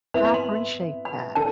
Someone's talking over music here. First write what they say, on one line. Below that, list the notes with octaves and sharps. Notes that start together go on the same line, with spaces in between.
I appreciate that.
B3 E4 B4 E5 B5
B5
C6
B5
D4 A4 A5